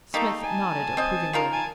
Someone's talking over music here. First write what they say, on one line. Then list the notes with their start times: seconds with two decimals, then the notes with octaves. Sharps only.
Psmith nodded approvingly.
0.14 G3 A3 A#3 D#4 A4
0.43 G#5 A5
0.97 C4 D#5
1.33 D#3 F4 A#4
1.53 G#5 A5